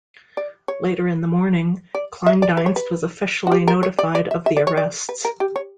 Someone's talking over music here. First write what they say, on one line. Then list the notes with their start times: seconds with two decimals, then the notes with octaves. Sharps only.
Later in the morning Kleindienst was officially notified of the arrests.
0.37 D5
0.68 C#5
1.95 D5
2.26 E5
2.42 D5
2.57 B4
2.66 C#5
2.76 B4
3.47 F#4
3.52 G4
3.68 A#4
3.83 C#5
3.99 D5
4.15 D5
4.31 E5
4.46 E5
4.57 D5
4.67 C#5
4.77 D5
5.09 B4
5.25 A#4
5.40 G4
5.56 C#5